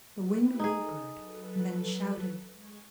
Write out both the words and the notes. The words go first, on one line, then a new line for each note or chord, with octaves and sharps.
The wind whimpered and then shouted.
E4 G4 B4
D#4 G#4 A4
F#3 A4 B4
G#3 G#5 C#6